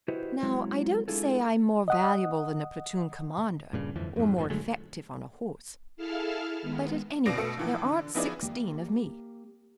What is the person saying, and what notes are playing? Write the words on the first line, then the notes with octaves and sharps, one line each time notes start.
Now I don't say I'm more valuable than a platoon-commander or more effective on a horse, but, at any rate, there aren't sixteen of me.
E4 F#4 G4 B4 C5 D#5
F#3 G#3 C4 E4
G#3 D4 E4 F4 G#4 A4
D#5 F#5 D#6
G2 A#2 C#3
G1 F2 E3 F3
F2 G#2
A1 G#2 F3
D3 F#3 G#3 A3
E4 G#4 A4 F5 A5 F6
D#3 G#3 B3
C#2 B2 D5 A#6 C7 D7
B2 A3 E6 C#7
A2 E3 F3
D3
F3 B3 D#4 E4 G#4 D5
A#3 G4